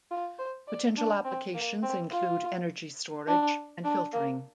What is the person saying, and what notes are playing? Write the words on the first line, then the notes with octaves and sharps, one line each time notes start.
Potential applications include energy storage and filtering.
F4
C5
D5
D4
C4
A#3
C4
F4
D4
D4
A#3